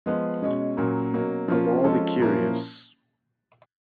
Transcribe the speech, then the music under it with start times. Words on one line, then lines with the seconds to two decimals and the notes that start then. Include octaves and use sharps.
Of all the curious!
0.06 F3 G#3 B3
0.42 B2 G#3 C#4
0.77 A#2 F#3 A#3 C#4
1.13 B2 F#3 A#3 C#4
1.48 F3 A#3 C#4 F4
1.84 F3 G#3 C#4 F4 A4
2.20 A#2 F3 A#3 C#4 E4